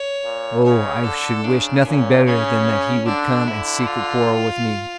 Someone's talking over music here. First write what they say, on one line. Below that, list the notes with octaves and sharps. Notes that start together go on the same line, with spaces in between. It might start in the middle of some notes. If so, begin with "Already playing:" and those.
"Oh, I should wish nothing better than that he would come and seek a quarrel with me."
Already playing: C#5
A#2
C#3 C#5
D3 A4
C#3 D4
A#2 C#4
C#3 C#4
D3 D4
D3 E4
F4